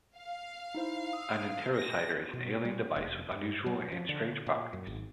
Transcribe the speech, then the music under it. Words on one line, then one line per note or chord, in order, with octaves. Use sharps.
An interocitor is an alien device with unusual and strange properties.
F5
D#4 E4 C5
D#6 E6
A#6
B2
G3
F1
G2
F#3
F3
D3
A#2
F#2
G#1